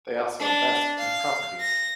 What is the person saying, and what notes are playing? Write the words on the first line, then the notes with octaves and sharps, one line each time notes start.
They also invest in properties.
D4
F5
A#6